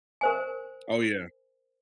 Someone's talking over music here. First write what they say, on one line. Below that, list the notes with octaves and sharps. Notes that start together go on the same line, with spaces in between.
Oh yeah.
A#4 C5 G#5